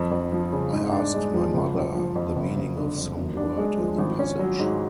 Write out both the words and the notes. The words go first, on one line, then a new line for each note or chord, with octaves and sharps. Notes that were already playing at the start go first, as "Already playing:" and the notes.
I asked my mother the meaning of some word in the passage.
Already playing: F2
F2
F3
C#3
G#2
D4
G#3
F3
F#1
F#1
F3
F2
F#1
F#1
D3
F2
F#2
D4
G#3
F3
G#1
C#4
F#3
G#2